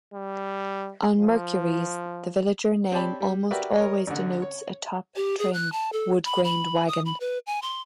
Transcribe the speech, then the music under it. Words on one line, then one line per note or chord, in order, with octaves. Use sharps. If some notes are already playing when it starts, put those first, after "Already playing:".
On Mercuries, the Villager name almost always denotes a top trim, wood grained wagon.
G3
F3
C4 G4 C#5 D5 A5 B5
G3
F#4 G4 A#4 B4 D5 E5
A#4 C#5 D#5
A1 D3
C#5
G4
G#4
F#6
A5
A4
B5
B5
D#6
B5
B4
G#5
C6